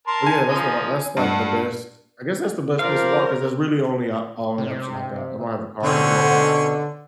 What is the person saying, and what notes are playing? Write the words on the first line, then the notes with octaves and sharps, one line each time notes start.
but, yeah, that's what I that's like the best I guess that's the best place to walk 'cause that's really only o only option I got, I don't have a car anymore,
A#4 A5 C6
G#5
F3 D#4
G2 F#5
F3 A#4 C5 D5 F5
C3
B2 D3 C4 C#4